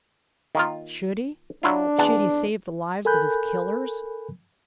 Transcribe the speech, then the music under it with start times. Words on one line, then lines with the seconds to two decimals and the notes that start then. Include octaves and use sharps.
Should he? Should he save the lives of his killers?
0.55 D#3 A#3 F4
1.63 F#3 D4 E4 F4
1.99 E2 F#5 A5
3.05 A4 A#4 G#5 B5 F#6 G6